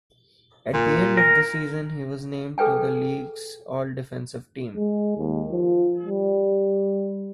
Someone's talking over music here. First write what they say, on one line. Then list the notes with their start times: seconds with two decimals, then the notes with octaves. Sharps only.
At the end of the season, he was named to the league's All-Defensive Team.
0.74 A#2
1.17 A#4
2.58 G#4 A4 B4 G5 G#5
4.76 G#3
5.18 D#2
5.51 F3
6.06 G3